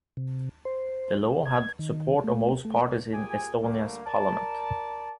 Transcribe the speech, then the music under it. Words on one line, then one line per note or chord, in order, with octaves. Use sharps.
The law had the support of most parties in Estonia's Parliament.
C3
C5
G#6
D#3
A3
A3
A#2 G4 G#4 G#5
D3 G3 A3 A#3
A#4 D5 A5